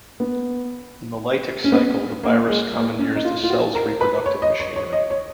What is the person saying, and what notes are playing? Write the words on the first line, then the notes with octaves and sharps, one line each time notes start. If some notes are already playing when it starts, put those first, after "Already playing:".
In the lytic cycle, the virus commandeers the cell's reproductive machinery.
B3
C#4
B3
A#3
G#3
A#3
C#4
D#4
F4
F4
F#4
A#4
B4
C#5
D#5
C#5
C#5
D#5
C#5